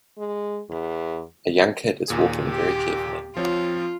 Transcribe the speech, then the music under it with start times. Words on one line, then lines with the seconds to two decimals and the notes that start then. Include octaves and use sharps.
A young kid is walking very carefully.
0.18 G#3
0.70 E2
2.08 D#2 A#2 G#4
2.49 G4
3.37 F3 C4 F4 C#5